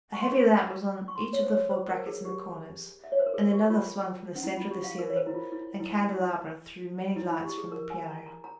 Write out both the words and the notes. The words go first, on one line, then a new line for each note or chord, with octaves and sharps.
A heavy lamp was on each of the four brackets in the corners, and another swung from the centre of the ceiling, and candelabra threw many lights from the piano.
C#6
C6
C#6
C#6
C6
C#5
C5
C#5
C5
A#4
G#4
G4
E5
C#5
C5
A#4
G#4
G4
F4
C#4
E4
F4
G4
F5
A#4
C#5
C5
E4
F4
E4
E4
E4
E4
G4
G#4
A#4
G#5
A#5
A#5
A#5